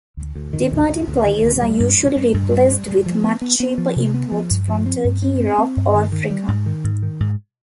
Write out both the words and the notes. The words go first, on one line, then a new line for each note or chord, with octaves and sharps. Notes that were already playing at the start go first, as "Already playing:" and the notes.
Departing players are usually replaced with much cheaper imports from Turkey, Europe or Africa.
D2
D2
D#3
D2
D2
D2
D#3
D2
G3
G2
G2
G2
G2
G3
G3
G3
F3
B3
B3
B3
F3
C3
B3
F3
G2
F3
C4
G2
C4
C4
C4
G2
D#3
D#3
G3
G#2
D#3
G#2
D#3
G#2